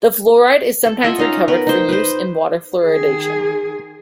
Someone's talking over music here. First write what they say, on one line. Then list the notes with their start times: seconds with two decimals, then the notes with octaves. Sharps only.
The fluoride is sometimes recovered for use in water fluoridation.
0.86 A4
1.03 F4 D#5 E5 F#5
1.18 C#4 D#4 F5 A#5
1.48 B3 A#4 B4
1.67 D#4 C5
1.89 B4 C5
2.84 D#3 G#4